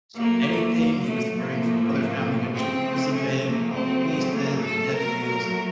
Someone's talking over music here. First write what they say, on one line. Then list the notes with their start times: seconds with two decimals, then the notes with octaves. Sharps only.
so anything he was hearing from other family members when they visited him about nieces and nephews and
0.14 A#2 F#3 A3 A#3
0.44 A3
0.74 A#3
1.04 A3
1.34 A2 F3 A3 A#3
2.53 C#3 F3 A3 C4
3.14 C#4
3.44 A#3
3.73 C#3 F#3 A3 C4
4.33 A#3
4.63 A4
4.93 A#2 F#3 A3 A#4
5.23 A#4